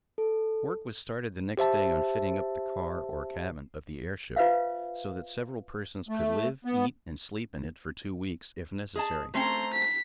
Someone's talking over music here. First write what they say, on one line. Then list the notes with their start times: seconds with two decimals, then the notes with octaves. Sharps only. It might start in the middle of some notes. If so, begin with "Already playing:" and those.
Work was started the next day on fitting up the car, or cabin, of the airship, so that several persons could live, eat and sleep in it for two weeks, if necessary.
0.18 A4
1.58 G4 C5 E5 A5
4.36 F4 B4 C5 E5 F5
6.09 A3
6.65 B3
8.96 G#4 D#5 A5
9.34 A3 C4 C#4 A#5 C6
9.73 B6